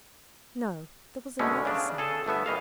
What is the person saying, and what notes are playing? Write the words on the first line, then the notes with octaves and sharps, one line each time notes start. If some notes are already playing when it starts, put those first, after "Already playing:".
No; there was another sound.
F#2 B2 D3 G#3 A3 C#4
C#3 D4
G#4 A4 A5
G1 A3 B3 E5
A#1 E3 D#5 F5